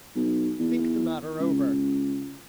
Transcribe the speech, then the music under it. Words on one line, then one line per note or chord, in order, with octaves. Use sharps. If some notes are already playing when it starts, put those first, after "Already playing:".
Think the matter over!
B1
E2
C#2